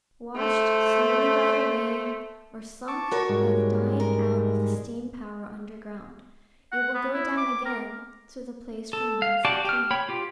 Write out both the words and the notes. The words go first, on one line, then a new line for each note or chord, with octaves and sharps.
Washed slowly by the rain, or sunk by the dying out of the steam- power underground, it will go down again to the place from whence it came.
A3 C5
A5 C#6 D6
F#4 A#4 C#5
G#2 G3 G#3
A#4
F#5
B3
E4
D6
A#4
A4
F5
F#4 G4 D5 A5 D6
G4 F6
C#5 G5 B5
F4 G4